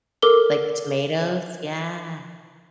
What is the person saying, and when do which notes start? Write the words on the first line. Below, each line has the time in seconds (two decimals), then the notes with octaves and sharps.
like the tomatoes. Yeah.
0.22 A4 A#4 D6 G7